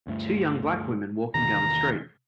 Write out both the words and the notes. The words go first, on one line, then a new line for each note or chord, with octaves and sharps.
Two young black women walking down the street.
D2 G2 A3
E2 C3 D#3 A#5